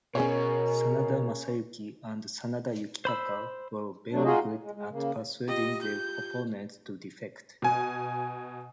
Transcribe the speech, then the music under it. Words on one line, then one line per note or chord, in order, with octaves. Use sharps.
Sanada Masayuki and Sanada Yukitaka were very good at persuading their opponents to defect.
B2 C#4 G#4 A#4 C#5
C5 B5 E6
F#3 A3 D4
G#3 D#4 F4 F#4 G#4 D#5
A2
G#3
G#3
C#3 A#3
F4 G4 D#5
G6
B2 G#5